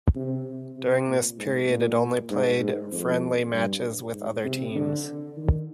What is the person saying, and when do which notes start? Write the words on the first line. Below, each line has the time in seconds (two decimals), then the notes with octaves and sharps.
During this period it only played friendly matches with other teams.
0.16 C3
0.77 C3
1.08 A#2
1.38 G#2
1.69 A#2
2.30 G#2
2.61 G#2
2.92 F2
3.52 G2
4.14 G#2
4.45 C3
4.75 D3
5.37 D#3